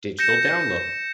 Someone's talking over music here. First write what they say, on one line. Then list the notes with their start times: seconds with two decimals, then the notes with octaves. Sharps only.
Digital download.
0.19 G6 A#6 C#7 E7